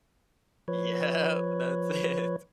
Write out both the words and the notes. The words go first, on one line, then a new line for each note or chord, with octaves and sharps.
Yep, that's it.
F3 B4 C#5